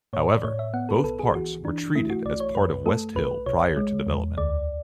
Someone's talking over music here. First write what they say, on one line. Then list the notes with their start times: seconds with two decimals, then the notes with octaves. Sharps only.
However, both parts were treated as part of West Hill prior to development.
0.13 A2 C#5
0.29 D5
0.44 A2 C#5
0.59 E5
0.74 B3 F#5
0.89 A4
0.97 B4
1.04 B1 A4
1.19 G#4
1.35 E3 F#4
1.65 E3 D4
1.95 A3 E4
2.10 F#4
2.25 B1 D5
2.40 C#5
2.55 F#2 B4
2.86 A3 A4
3.16 B1 B4
3.46 B1 C#5
3.77 G#3
4.07 E2
4.37 D2 D5